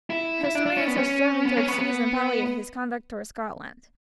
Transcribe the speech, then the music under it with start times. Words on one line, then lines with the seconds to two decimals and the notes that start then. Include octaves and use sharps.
Historians have striven to excuse and palliate his conduct toward Scotland.
0.10 E4
0.44 E4
0.55 D4
0.66 D4
0.76 C#4
0.87 B3
0.97 C#4
1.45 B3
1.57 C#4
1.68 B3
1.79 B3